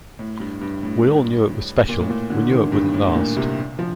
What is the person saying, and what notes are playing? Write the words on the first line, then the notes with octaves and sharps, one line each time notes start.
We all knew it was special, we knew it wouldn't last.
A2
G2
G2
A2
A#2
A2
A#2
D3
D#3
G2
A2
A2
A#2
C3
F3